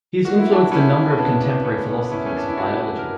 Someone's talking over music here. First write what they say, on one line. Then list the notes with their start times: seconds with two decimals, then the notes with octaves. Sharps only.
He has influenced a number of contemporary philosophers of biology.
0.25 A#3 F#4
0.39 E4
0.52 D4 F#4
0.72 G3 C#4 E4
1.10 C#4
1.18 C#3 B3 D4
1.41 B3 D4
1.64 C#2 C#4
1.88 B3
2.11 A#3 C#4 E4
2.26 C#4
2.37 D4
2.47 E4
2.57 G3 D4 F#4
2.98 A#4